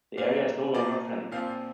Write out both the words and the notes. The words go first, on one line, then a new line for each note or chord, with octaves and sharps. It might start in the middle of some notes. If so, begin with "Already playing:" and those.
The area is no longer fenced.
A#2 A#3 F5
A#2 F3 A#3 D5
A#2 F3 C4 F5